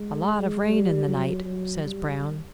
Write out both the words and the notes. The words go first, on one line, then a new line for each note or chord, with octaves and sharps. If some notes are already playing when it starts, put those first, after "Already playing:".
"A lot of rain in the night," says Brown.
Already playing: G#3
G3
F#3
F#3
G3